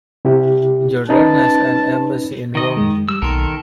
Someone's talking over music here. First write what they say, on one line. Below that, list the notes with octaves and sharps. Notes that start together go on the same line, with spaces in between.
Jordan has an embassy in Rome.
C3 E4 G4
C#4 D#4 B4 A5
D#3 D#5
F#2 G#3
G3 E6
B1 B2 D#3 A#3 A4 A#4 C6